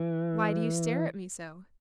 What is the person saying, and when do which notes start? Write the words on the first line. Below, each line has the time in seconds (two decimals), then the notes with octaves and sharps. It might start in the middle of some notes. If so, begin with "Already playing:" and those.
'Why do you stare at me so?
Already playing: E3